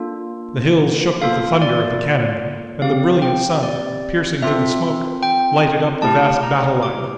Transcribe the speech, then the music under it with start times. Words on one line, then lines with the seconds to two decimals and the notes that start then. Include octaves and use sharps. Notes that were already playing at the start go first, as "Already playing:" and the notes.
The hills shook with the thunder of the cannon, and the brilliant sun, piercing through the smoke, lighted up the vast battle line.
Already playing: A#3 D4 F4 A4
1.22 A#3 F4 A4 F5
1.62 D5
2.82 C4 G4 F5
3.22 G5
3.63 D5
4.42 C4 F4 A4 E5
5.23 G5
6.02 A3 E4 G4 A5
6.43 A#5
6.83 D6